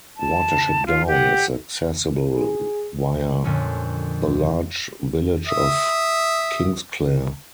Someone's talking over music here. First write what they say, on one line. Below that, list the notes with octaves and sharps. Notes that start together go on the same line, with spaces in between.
Watership Down is accessible via the large village of Kingsclere.
A5
F4
G4 F#5
G#4
F2 A#2 D3 A3 C#4
E5 D#6